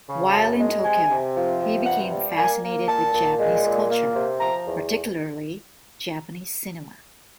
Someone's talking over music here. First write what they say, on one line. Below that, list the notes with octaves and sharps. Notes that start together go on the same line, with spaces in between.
While in Tokyo, he became fascinated with Japanese culture, particularly Japanese cinema.
C#3
F#2 A5
G#3
C3 G#5
C3
F3
C3
G2 F#5
G3
A#3 G#5
A#3
A#2 A5
A#2
G#3
A#2
A#3
C3
F3 A#5
E2